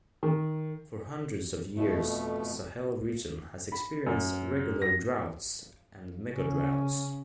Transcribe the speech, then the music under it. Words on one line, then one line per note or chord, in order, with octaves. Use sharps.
For hundreds of years, the Sahel region has experienced regular droughts and megadroughts.
D#3
F2 B2 A3
B5
F#2
A#6
C#3 C#4